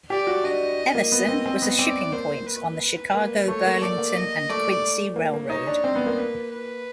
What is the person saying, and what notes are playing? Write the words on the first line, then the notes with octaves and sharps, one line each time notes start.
Emerson was a shipping point on the Chicago, Burlington and Quincy Railroad.
G4 D5
F#4
D4 D#5
A#3
B3
C4
C4
B3
C4 D5
A#3 C5
B4
A#3
A3 C#5
A#3
A3 D5
A#3
D#5
A3 D5
A#3
A#3
D#4 C#5
D4
C4 C5
B3
A#3
B4
B4